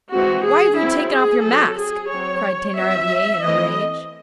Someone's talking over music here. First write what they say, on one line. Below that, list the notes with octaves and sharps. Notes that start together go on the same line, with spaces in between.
"Why have you taken off your mask?" cried Thenardier in a rage.
E3 G#3 C4 F#4
G#4
F#3 C4 E4
G#4
F#3 C4 A4
G#4
F#3 C4 C#5
F#3 C4 E5
E3 A3 C4 D#5